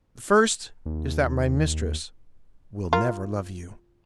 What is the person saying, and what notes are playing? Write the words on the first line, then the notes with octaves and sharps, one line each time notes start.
"The first is that my mistress will never love you."
D#2
F4 A#4